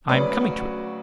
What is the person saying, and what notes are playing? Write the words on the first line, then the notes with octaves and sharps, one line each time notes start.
I'm coming to it!
D2 C#3 F#3 B4 D5
F#4